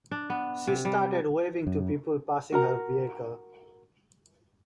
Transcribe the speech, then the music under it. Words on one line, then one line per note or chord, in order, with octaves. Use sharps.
She started waving to people passing her vehicle.
D4
B3
C3
G3
F#2
F#4 A#4 A#5